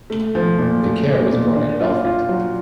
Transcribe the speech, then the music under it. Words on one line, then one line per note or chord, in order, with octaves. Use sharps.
Vicaire was born at Belfort.
A3
F3
A#2
A3
A#2
A#2
D4
F4
F4
F#3